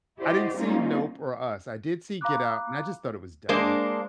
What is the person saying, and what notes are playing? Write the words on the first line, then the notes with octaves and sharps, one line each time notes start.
I didn't see Nope or Us. I did see Get Out, and I just thought it was dumb.
E4 F#4 G4 C5 D5 D#5
G3 A#3 C4 C#4 D#4 F4
F5 A#5 B5 D6 F#6
G#3 A#3 D4 C5